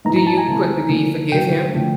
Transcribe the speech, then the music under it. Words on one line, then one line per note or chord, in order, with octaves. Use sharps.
Do you- quickly- do you forgive him?
G#2 E3 G#3 A#5
A#5
A5
G#5
D2 C3 E3
D3 F3 A#3 D4
G2 D3 F#3 G5
D3 F3 A3 D4